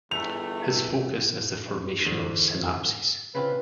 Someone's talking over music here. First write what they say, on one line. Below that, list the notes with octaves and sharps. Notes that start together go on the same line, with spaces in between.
His focus is the formation of synapses.
G1 E2 A3 F7
E2 G#2 D3
C#3 C4 F4 B4